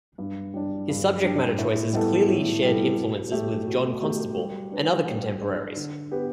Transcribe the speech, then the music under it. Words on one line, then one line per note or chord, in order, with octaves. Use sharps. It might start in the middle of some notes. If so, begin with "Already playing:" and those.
His subject matter choices clearly shared influences with John Constable and other contemporaries.
G2
G3 D4
G2
G3 D4
A2
G3 B3 E4 A4
A2
G3 B3 E4 A4
B2
A3 G4
B2
A3 G4
G3
D4 B4
G3
D4 B4
D3
B3 G4 B4